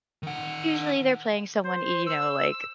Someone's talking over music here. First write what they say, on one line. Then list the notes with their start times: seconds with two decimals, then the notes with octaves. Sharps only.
usually, they're playing someone, y you know, like,
0.23 D#3 F#5
1.64 C5
2.06 E6